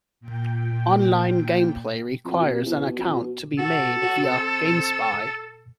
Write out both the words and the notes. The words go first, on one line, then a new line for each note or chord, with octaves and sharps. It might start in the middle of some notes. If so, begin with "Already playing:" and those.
Online gameplay requires an account to be made via GameSpy.
A#2 G5
F2
B2
C3
E2
B2
F2
B2
F#4 A4
F#4
C4